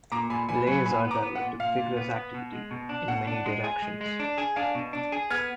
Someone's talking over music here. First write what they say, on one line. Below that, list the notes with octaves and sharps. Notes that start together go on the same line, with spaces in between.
Eleazar developed a vigorous activity in many directions.
A#2 A#5 D6
A#2 G#5 B5
A#2 G#5 B5
F#3 G#5 B5
A#2 G#5 B5
B3
A#5 D6
B3
F#5
A#2
A#2 F5
A#2
B3
B3
B2
G#3
B2
D4
B2 F#5
D4
G#3
G#4
G#3
G#3
D4
G#4
D4 F5 G#5
B2
D4
G#4
B3 F6 G#6